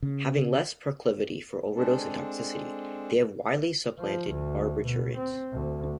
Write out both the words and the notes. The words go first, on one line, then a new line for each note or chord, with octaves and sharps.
Having less proclivity for overdose and toxicity, they have widely supplanted barbiturates.
C#3
G#3 C4 D4 A4
F3
D2
B2
C4
D2